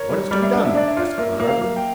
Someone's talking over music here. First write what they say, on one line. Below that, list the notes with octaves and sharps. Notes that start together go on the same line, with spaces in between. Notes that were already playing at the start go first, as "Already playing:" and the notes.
"What is to be done?" asked Glenarvan.
Already playing: A#4 C#5
G3
G3 D5
E5
D4 D5
E5
D4 D5
E5
F4 D5
A#3 E5
A#3
F5
A#3
G5